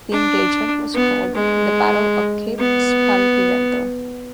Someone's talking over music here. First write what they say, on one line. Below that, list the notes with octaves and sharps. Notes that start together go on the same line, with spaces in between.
The engagement was called the Battle of Cape Spartivento.
D4
B3
G#3
B3